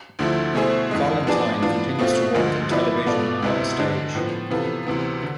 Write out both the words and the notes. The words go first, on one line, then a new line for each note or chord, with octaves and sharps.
Valentine continues to work in television and on stage.
D2 D3 F3 A3 E4
B2 A3 E4 G#4 C5
F2 E3 G#3
F3 B3 D4 G#4 D5
E3 B3 D4 F4
B2 A3 C4 F4
D2 D3 F3 G#3
F3 B3 E4 B4 D5
B2 B3 F4 A4 D5
D2 C3 G#3 B3 E4
D3 G#3 D4
A2 F3 B3
C3 E3 B3 F4 A4
D2 C3 E3 B3
D3